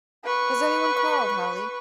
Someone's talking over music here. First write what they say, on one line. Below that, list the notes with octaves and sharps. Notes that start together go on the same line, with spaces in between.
Has any one called, Holly?
B4 C#6